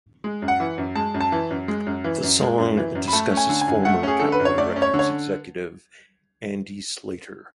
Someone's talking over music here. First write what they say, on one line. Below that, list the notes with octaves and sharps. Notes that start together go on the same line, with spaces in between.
The song discusses former Capitol Records executive Andy Slater.
G#3
F#2
F#5
E3
F#2
G#3 A5
F#2
A5
E3
F#2
G#3
F#2
E3
F#2
G#3
F#2
E3
F#2
B5
A3 A5
C#4
G#5
D3
G#5
F#2
A3 F#5
C#4 G#4
D3 A4
B4
F#2
C#5
A3 D5
C#4
C#5
D3
C#5